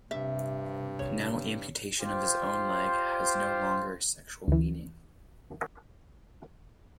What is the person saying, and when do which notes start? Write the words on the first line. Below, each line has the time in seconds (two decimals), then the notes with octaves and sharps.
Now amputation of his own leg has no longer a sexual meaning.
0.11 G2 C3 E5
0.99 C#5
2.00 F4 G4 C5
4.48 D2 E3